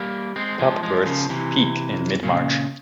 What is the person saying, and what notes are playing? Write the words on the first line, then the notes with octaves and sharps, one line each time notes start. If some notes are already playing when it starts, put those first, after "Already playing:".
Pup births peak in mid-March.
Already playing: G3 A#3
G#3 C4
F3 G#3
F3 G#3
C#3 F3
C3 E3
A#2 C#3